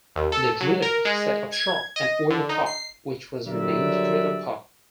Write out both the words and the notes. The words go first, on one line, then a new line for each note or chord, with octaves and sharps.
The Drillers set up shop at Oiler Park, which was renamed Driller Park.
D#2
A4
F#3
A#4
G#3
G#6
D#5
D3
D#4
C7
D3 F#3 G3 A#4 D5 E5